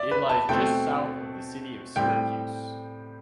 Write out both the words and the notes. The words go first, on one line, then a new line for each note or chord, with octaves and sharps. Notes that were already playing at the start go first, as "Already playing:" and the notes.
It lies just south of the city of Syracuse.
Already playing: D5 E5
B4
A5
B2 A3 C4 G5
A2 G3 C4 G5